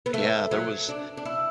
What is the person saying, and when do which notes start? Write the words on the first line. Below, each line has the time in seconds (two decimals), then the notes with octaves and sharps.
Yeah, there was
0.06 B3
0.14 A3
0.51 F#3
0.89 D4
1.17 D4
1.25 E4